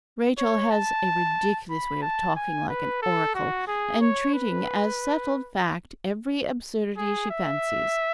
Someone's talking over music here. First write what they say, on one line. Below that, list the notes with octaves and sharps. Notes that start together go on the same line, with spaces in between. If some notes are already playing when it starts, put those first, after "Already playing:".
Rachel has a ridiculous way of talking like an oracle, and treating as settled fact every absurdity she fancies.
C#5
A5
B5
A5
G#5
B4
A4
F#4
G#4
C#5
B4
G#4
E5